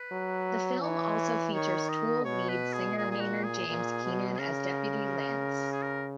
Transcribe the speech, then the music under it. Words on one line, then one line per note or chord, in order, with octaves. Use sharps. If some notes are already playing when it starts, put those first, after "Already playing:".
The film also features Tool lead singer Maynard James Keenan as Deputy Lance.
Already playing: B4
F#3
E3 C#5
D#3 C#5
D#5
B2 C#5
B4
G#4
A#2 G#4
G#4
F#4
G#4
A#2
B2
G#4
C#3 A#4
G#4
A#4